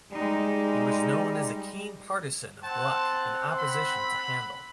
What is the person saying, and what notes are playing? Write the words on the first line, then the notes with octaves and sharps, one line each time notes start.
He was known as a keen partisan of Gluck in opposition to Handel.
G3 G#3 D#4
C4 C5 F#5 A5
B5